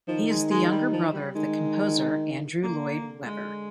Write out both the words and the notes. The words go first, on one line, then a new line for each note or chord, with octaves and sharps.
He is the younger brother of the composer Andrew Lloyd Webber.
D#3 F3
G#3
G#3
G3
F3
G3
D#3 G#3
D3 A#3
G#3